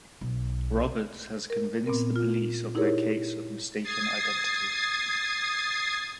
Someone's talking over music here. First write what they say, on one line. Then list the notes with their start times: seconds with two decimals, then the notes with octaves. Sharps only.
Roberts has convinced the police of their case of mistaken identity.
0.21 B1
1.50 A#4
1.86 A#2 B3 C4 A#4
2.16 F4
2.75 D#4 E4 G4 G#4 A#4 C#5
3.83 D#6 G#6 A6 C7